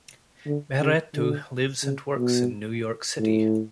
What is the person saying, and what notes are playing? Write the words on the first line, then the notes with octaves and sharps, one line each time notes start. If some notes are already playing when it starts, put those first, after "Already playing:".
Mehretu lives and works in New York City.
D3
C#3
D3
C#3
B2
A2